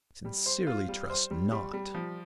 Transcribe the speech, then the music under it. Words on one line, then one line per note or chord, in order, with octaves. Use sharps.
"I sincerely trust not."
G3
C5
F4
G3
C5
G3
G3
G3
F3